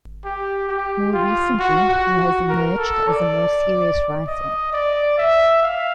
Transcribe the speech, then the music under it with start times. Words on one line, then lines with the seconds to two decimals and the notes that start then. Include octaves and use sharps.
More recently he has emerged as a more serious writer.
0.25 G4
0.69 G4
1.13 F4
1.59 F#4
1.89 F#4
2.19 F#4
2.49 A#4
2.78 A4
3.09 D5
4.27 D#5
4.73 D5
5.18 E5
5.63 F5